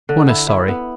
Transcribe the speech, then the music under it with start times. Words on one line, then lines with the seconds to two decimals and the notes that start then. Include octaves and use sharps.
One is sorry.
0.09 D3
0.29 E4
0.48 E4
0.68 B3